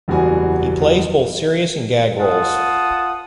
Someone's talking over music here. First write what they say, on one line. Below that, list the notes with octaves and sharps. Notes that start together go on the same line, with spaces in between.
He plays both serious and gag roles.
F#1 E2 G3 F#4 G#5
F4 F#5 A5 D#6